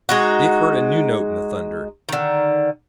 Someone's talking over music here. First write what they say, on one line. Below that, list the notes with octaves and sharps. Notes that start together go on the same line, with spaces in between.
Dick heard a new note in the thunder.
G#3 D#4 F#4
D3 D#3